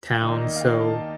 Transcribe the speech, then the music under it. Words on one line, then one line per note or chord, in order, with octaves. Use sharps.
town, so,
D#2 D#3 A#3 D#4 D5
D#5
F5
G5
A5